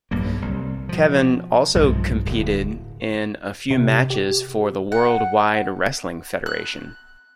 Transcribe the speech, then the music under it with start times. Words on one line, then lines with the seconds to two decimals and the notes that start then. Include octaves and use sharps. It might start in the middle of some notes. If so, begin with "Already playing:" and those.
Kevin also competed in a few matches for the World Wide Wrestling Federation.
0.11 B1 G2 A#3
0.42 C2
0.89 B2 F3
1.75 B1 G2 F3 G#3
2.26 D1
3.71 C3
4.10 G4
4.92 F#5
6.46 F#6